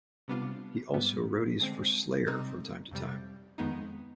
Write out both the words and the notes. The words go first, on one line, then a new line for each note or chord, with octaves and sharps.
He also roadies for Slayer from time to time.
C3 G3 B3 D4 F4
G#2 G3 B3
D3 G#3 C4
C3 G3 C4 D#4
F2 C3 G3
F2 D#3 G#3 B3 D#4